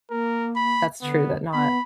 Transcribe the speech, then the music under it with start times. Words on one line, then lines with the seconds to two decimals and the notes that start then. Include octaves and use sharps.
that's true that not
0.10 A#3 A#4
0.56 B5
1.02 D3 B3
1.53 B3 B5